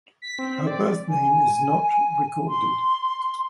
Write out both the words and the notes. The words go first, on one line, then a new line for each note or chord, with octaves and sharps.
Her birth name is not recorded.
B6
C4
D5
G#5
C6